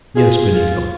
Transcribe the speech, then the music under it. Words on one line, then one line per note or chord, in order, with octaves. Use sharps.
"Yes, Benito."
F4 G#4
F4